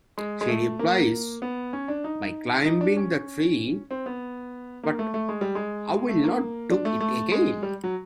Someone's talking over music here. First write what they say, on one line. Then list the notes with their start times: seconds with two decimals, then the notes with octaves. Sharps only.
She replies, "By climbing the tree, but I'll not do it again".
0.18 G#3
0.41 G#3
0.48 A3
0.79 A#3
1.42 B3
1.73 C#4
1.88 D4
2.04 D#4
2.66 D#4
2.81 D4
2.96 C#4
3.91 C4
4.06 B3
4.83 A#3
4.99 A3
5.14 A3
5.29 G#3
5.41 G3
5.55 G#3
6.08 A3
6.24 A#3
6.70 D4
6.85 A3
7.00 A3
7.32 G#3
7.63 G3
7.84 F#3